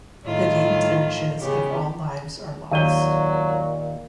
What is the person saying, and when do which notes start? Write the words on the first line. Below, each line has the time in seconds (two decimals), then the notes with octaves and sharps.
The game finishes if all lives are lost.
0.24 A2 D#3 F4
1.40 C#3 B3 G4
2.71 D#2 A#2 F#3 F5 D#7 G7